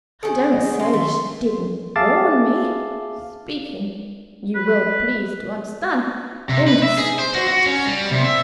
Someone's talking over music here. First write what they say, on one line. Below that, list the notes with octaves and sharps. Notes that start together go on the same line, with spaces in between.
I don't say she didn't warn me--speaking, you will please to understand, in the strictest confidence.
D#3 C#4
B3 D#5
G#4
F3 C#4 C6
D#3 A3
G#4 E5 F5 A5 D6 A6
B4
C3
B4
E5
G#4
C5
F#4
F#4
C#4
G3
C3
E5